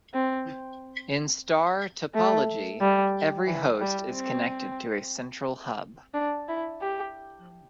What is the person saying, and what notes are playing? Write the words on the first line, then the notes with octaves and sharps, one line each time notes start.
In star topology, every host is connected to a central hub.
C4
A3
G3
E3
G3
C4
D4
E4
G4